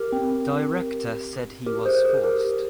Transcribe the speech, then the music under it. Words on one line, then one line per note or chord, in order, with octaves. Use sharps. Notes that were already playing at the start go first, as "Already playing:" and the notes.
Director said he was forced.
Already playing: G4 A#4
C4
G4 A#4
G#4 C5
G#4 C5
G4 A#4